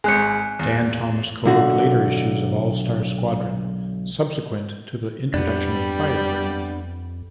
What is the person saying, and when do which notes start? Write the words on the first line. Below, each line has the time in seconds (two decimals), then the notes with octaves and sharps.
Dann Thomas co-wrote later issues of "All-Star Squadron", subsequent to the introduction of Firebrand.
0.04 G#1 G#3 G#5 F#6 C#7
0.59 E2
1.45 B1 D3 F#4
5.34 F2 G3 B3 D4